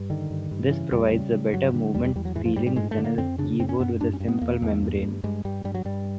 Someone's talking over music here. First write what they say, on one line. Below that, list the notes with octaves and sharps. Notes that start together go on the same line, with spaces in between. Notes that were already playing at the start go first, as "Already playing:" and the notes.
This provides a better movement feelings than a keyboard with a simple membrane.
Already playing: G2
D3 D#3
G2
G2
C#3 E3
E2 G3
C#3
C#3
G2 F#3
D3 G3
E2 G3
G3
E2 G3
F#3
G#2 E3
F3
G#2 G3
G3
G2 G#3
A3
D3
A#3
F2 C4
C#3 D4
F#2 C4
C#4
F#2 B3
G2 D4
C#4
G2
B3
E2 A#3
E2
G2
G2
G2 G#3
G2 G3
G2 G3
F#3
G2 G3